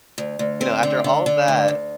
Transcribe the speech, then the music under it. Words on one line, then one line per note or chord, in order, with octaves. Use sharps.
you know, "After all that,"
D2
D2
C4
D3
D3
D3
D2
D2